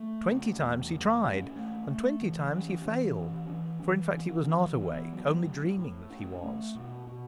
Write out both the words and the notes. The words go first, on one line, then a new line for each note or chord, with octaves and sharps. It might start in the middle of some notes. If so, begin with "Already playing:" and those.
Twenty times he tried, and twenty times he failed; for in fact he was not awake, only dreaming that he was.
Already playing: A3
C#3
E2
A2
C#4
A3
A3
E3
C#4
E3
C#4
E3
E3
C#4
E3
B3
F#3
A2
A2
C#4
A3
B2
B2